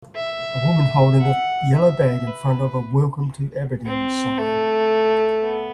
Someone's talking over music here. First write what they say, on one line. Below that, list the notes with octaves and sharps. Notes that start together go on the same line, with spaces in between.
A woman holding a yellow bag in front of a Welcome to Aberdeen sign.
E5
F#5
E5
B4
C4
A3
B3